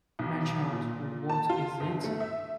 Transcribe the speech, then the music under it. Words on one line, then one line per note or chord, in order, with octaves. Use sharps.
My child, what is it?
B1
A#2
A5
F4
G1
A3
E5